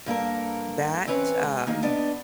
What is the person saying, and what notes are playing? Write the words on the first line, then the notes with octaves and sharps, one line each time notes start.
that, um,
G2 A#3 A4 A#4
E3 C4 C#4 B4 C#5
G#3
D#3 A#3 D#4
B3 D4 D#5